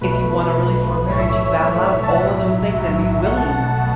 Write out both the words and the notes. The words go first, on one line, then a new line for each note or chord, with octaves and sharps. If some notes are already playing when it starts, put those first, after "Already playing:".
if you want a really strong marriage, you battle out all of those things and be willing
B1 B2 A3 B4
B1 B2 A3
B1 A2 E3 A3 C#5
E5
C#5
B1 A2 E3 A3
A5
F#5
B1 A2 F#3 E5
B1 A2 F#3
B1 B2 A3 F#5
A5
F#5
B2 A3